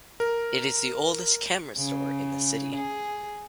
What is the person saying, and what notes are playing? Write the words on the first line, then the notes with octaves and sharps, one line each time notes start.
It is the oldest camera store in the city.
A#4
C#3
G#4